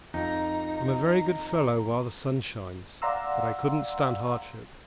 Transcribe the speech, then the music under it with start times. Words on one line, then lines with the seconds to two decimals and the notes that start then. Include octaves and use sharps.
I'm a very good fellow while the sun shines, but I couldn't stand hardship.
0.14 F2 D#4 A#5
3.02 D5 F5 F#5 A#5 C6 E6